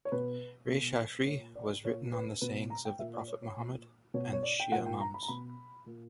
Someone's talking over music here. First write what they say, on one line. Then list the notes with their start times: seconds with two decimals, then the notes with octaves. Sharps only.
Reyshahri has written on the sayings of the prophet Mohammad and Shia Imams.
0.05 C#5
0.12 B2 B4
0.70 B2
1.26 A#2 C#5
1.55 D5
1.85 A#2 C#5
2.13 B4
2.41 B2 B4
2.70 A#5
2.85 G5
2.99 A#2 E5
3.13 D5
3.28 C#5
3.42 C#5
3.57 A#2
4.14 B2 C#5
4.33 C#5
4.43 D5
4.60 G5
4.72 A#2 F#5
4.86 G5
5.00 A#5
5.14 B5
5.23 A#5
5.28 B2 B5
5.86 A#2